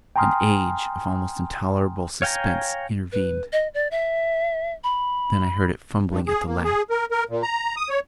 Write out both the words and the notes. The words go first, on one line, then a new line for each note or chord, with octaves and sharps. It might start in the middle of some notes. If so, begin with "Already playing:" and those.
An age of almost intolerable suspense intervened; then I heard it fumbling at the latch!
G5 G#5 A#5 C6 D#6 F6
C#5 F5 G5 G#5 A#5
B4
D#5
D5
E5
B5
G2
G#4
A#3
G#4
A#4
A#4
A#2
A#5
D#6
C#5